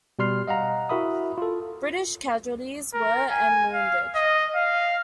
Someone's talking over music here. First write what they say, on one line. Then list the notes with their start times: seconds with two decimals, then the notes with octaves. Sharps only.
British casualties were and wounded.
0.19 B2 G3 C6 F6 C7
0.48 D#5 F5 F#5 A#5
0.89 E4 F#4 A#4 E5 B5 D#6
1.38 F4 A4
2.94 A#4
3.30 G#5
3.73 F5
4.15 D#5
4.55 F5